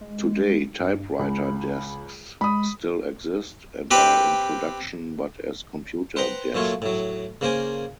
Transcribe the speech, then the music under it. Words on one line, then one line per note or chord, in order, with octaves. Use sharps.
Today, typewriter desks still exist, and are in production but as computer desks.
G#3
G2
C#2 B5
G#3 B5 D#6
C4 G4 B4
B4 C5 F#5 G5 A#5 B5
A#2 F#3 A3 F4 C#5
A2 F#3
C#3 A#3 A#4 C5 G#5